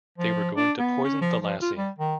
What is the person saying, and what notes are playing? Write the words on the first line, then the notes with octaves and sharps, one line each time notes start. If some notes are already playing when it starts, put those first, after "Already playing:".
They were going to poison the lassie.
F3
D4
B3
C#4
F3
F3
F4
G3
D#3